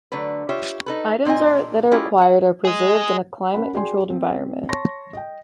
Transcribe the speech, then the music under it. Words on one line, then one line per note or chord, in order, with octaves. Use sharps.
Items that are acquired are preserved in a climate-controlled environment.
D3 F#3 A3 B4
F4 G4 C#5 E5
D#4 A4 B4
A#2 C4 D4 D#5 G#5
G#3 A3 C#4 E4 F4 G4
F5 F#5
G#4 D#5
C#4 A#4 C#5 F#5 B5
F#4 G#4 D5 G5 G#5 C6
C4
C#5 A5 C6 C#6 A#6
D#5 G5